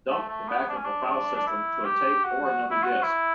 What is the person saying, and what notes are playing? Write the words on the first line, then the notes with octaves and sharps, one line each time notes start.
Dump can back up a file system to a tape or another disk.
A3
A3
B3
D4
C#4
D4
D4
E4
G4
F#4
F#4
E4
F#4
E4